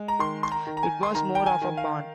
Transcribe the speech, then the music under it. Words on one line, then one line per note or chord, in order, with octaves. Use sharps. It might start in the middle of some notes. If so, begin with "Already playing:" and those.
It was more of a barn.
Already playing: G#3
A#5
D#3 C6
C6
A#5
D#3
A#5
G#5
C6
D#3 A#5
G5
G#5
D#3
F5